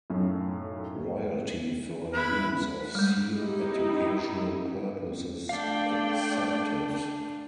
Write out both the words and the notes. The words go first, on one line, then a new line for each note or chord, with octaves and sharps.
Royalty for use of seal-Educational purposes excepted.
B1 F#2 A2
E4 B4
G3 G#3
D#4 E4 G4
A3 D4 D5 F5 G5